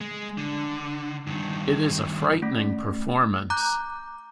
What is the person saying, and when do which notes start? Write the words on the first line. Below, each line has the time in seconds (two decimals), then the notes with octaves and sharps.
It is a frightening performance.
0.01 G#3
0.38 D3
1.27 G2 D#3
2.42 A3 C#4
3.50 A#5 D6 F#6 G6